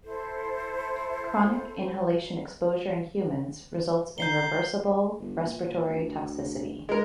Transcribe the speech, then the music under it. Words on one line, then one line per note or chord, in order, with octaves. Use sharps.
Chronic inhalation exposure in humans results in reversible respiratory toxicity.
E4 A4 C5
A#5 G6 C7 G7
G1
A#2
D2
G#3 A#4